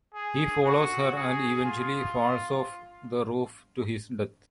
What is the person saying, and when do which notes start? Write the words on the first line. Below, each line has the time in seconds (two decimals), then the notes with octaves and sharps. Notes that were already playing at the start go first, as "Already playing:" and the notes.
He follows her and eventually falls off the roof to his death.
0.14 G#4
0.64 F#4
1.15 G#4
1.65 F4